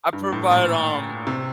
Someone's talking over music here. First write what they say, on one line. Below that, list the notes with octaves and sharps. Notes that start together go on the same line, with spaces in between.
I provide, um,
G2
A2
A#2
C3